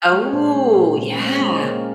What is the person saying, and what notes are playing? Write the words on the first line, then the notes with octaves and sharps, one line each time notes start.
Oh, yeah.
G#3
C#5
A#2 C5
G#3 C#4
A#2 A#3
A#2 C4
C#4
G#3 C4
C#4
G#3 C4
C#4
A#3